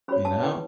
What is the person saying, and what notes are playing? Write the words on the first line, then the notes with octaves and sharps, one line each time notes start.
you know?
C#4 F#4 C#5 B5
A5
E4 B4 G5